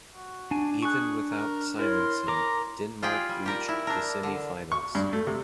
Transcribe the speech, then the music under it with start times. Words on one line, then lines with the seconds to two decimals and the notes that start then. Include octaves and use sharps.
Even without Simonsen, Denmark reached the semi-finals.
0.15 F#4
0.51 D4 G#5
0.82 G#4 C#6 F#6
1.31 A#4
1.79 E4 A#4 C#5 C6
2.28 A#4 A#5 D6
3.03 F4 G4 G#4 G5
3.29 G3
3.46 G4 A#4 D5
3.68 E4
3.87 D4 A#4
4.23 D3
4.72 C#6
4.95 G2
5.13 A3
5.27 C3